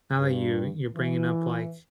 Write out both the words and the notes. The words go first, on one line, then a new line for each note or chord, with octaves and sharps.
Now that you you're bringing up, like
G2
E3